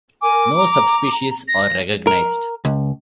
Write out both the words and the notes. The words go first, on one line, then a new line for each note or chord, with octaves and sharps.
No subspecies are recognized.
A#4 G#5 D6
A#5
A#6
A#4
C#2